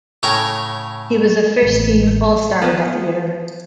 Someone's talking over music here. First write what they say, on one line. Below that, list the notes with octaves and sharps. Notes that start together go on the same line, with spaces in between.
He was a first team All Star that year.
A2 C#3 C#5 G5 A#5
A1 A3
F3 B3